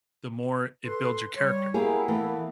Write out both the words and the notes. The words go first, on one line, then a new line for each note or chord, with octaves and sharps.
the more it builds your character,
A4 B4 C6
G3 C#5
A#3 B3 E4 G4 G#4
E3 A3 A#3